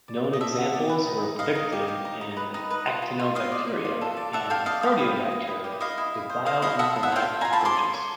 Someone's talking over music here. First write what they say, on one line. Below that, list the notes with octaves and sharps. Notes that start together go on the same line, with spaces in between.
Known Examples were predicted in Actinobacteria and Proteobacteria with bioinformatic approaches.
D5
D5
D#5
A4 E5
F#4
D5
B4
D#4
D#4
D#4 D#5 F5
D#4
G4
G4
D#4
D#4
B4
D#4
B4
F4
F4
F4
F4 D#5 F5
D5
D5
F4
A4
D5
A4 E5 F#5
A4 F5 G5
D5 D#5 F5
C5 F5 G5
E4
D#5
D#5
E4
G4
E4 D#5 F5
E4
D#5
C5
C5 D#5 F5
E4 D#5 F5
A4 E5 F#5
A4
E5 F#5
F4 F5 G5
F4
F4 G#5 A#5
A5 B5
A4 C6 D6
C#5
C#5